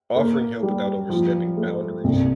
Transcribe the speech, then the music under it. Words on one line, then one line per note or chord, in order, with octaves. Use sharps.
offering help without overstepping boundaries,
A#3
G3
F3
A3
C2